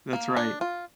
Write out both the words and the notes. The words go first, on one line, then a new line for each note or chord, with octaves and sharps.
That's right.
A#3
D4
F4